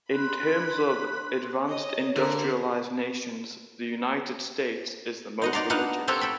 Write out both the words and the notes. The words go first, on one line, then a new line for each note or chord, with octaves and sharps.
In terms of advanced industrialized nations, the United States is the most religious.
D4 B5 C6 F#6 B6
C#5 D#5
D3 A#3 A#4
D#4 D#5 F#5
D#4 D5 A#5 C6
A#3 B3 D4 D#4 F5 F#5
A#3 C4 G4 A4 C#5 F#5
A4 G5 B5